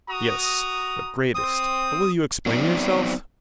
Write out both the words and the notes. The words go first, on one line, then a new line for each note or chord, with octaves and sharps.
Yes, the greatest; but will you explain yourself?
F#4 A#5 D#6
C4 D#6
F#3 B3 C4 D#4 D5